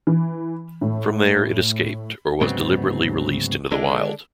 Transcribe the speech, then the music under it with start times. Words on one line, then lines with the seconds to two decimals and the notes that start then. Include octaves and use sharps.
From there, it escaped or was deliberately released into the wild.
0.07 E3
0.81 A2
2.41 D2 G#2 C#3 F#3 B3 C4
3.72 D3 G#3 D4